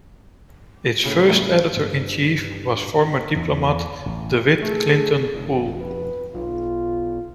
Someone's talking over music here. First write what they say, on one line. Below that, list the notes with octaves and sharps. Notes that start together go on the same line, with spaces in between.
Its first editor-in-chief was former diplomat Dewitt Clinton Poole.
A2 C#3
F#3 G3 A3
G2
E2 E3
A1
A3 G#4
F1
B4
B1 F4